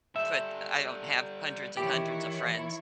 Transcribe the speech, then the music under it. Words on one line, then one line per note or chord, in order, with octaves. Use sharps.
put I don't have hundreds and hundreds of friends
G3 A4 E5
D#3 E3 E4 G4 C#5